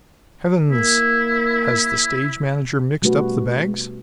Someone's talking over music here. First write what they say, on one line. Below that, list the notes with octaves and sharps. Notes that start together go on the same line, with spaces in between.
Heavens! has the stage manager mixed up the bags?
A#3 E4
B2 G3 A3 C#4 F#4 B4